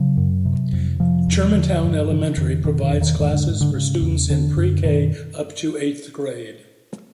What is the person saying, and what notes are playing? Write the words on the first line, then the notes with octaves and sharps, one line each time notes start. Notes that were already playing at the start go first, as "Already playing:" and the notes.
Germantown Elementary provides classes for students in Pre-K up to eighth grade.
Already playing: C#3 F#3
F#2
C3
F2
C3 F3
E2
D3
G2
C#3 E3
F2 D#3
B2 D#3
D#3
E2
D#3
G#2 D#3
D3
G#2
D3
C#3
E2
D3
F#2
B2 D#3